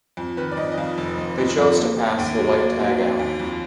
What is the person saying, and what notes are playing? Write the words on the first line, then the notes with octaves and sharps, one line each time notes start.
They chose to pass the white tag out.
F2
D#3 B4
D5
F2 D#5
D#5
F2 F5
F1
F1
F2
F2
A#3
A#3
D#2
F#3
A#3 D5
F#3
F#3
D#2
F2